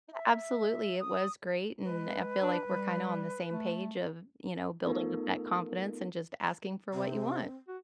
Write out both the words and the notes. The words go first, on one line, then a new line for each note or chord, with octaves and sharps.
Yeah, absolutely, it was great, and I feel like we're kinda on the same page of, you know, building up that confidence and just asking for what you want.
E5
D#6
G#3 B4
D4
G3
A3
A3 B3 D#4 F4 A4 A#4
C3 C4
F#4